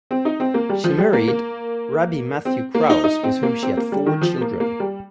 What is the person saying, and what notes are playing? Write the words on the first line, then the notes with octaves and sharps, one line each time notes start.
She married Rabbi Matthew Kraus with whom she had four children.
C4
D#4
C4
A#3
G3
F3
G3
A#3
A#3
C4
A#3
D#4
D#4
C4
A#3
C4
A#3
G3
D#3
F3
A#3
A#3
G3